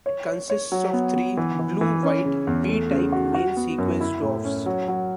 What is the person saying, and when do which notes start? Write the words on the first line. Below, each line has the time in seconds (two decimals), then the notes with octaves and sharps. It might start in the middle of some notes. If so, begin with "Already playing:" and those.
It consists of three blue-white B-type main sequence dwarfs.
0.06 C#5
0.28 C#5
0.50 C#5
0.72 F#3
0.93 B3
1.16 B3
1.37 E3
1.59 E3
1.81 E3
2.03 C#4
2.25 C#3
2.47 E2
2.69 A3
2.91 C#3
3.12 F#4
3.35 F#4
3.57 B3
3.78 F#2
4.00 E4
4.23 A2
4.44 C#4
4.66 F#3
4.88 F#3